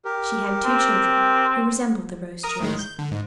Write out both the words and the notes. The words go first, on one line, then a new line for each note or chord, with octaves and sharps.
She had two children, who resembled the rose trees.
G4 A#4
C4
A#4 A#5 D#6
A2 D#3 G#3
G6
D3
G#2